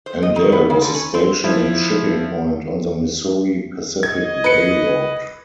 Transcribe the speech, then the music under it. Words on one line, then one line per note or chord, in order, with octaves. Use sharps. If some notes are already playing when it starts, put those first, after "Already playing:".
Andale was a station and shipping point on the Missouri Pacific Railroad.
C5
D#5
D#3
B3
C#3
D3
C#4
C4
F3 E4
D#5 G#6
B4 C#7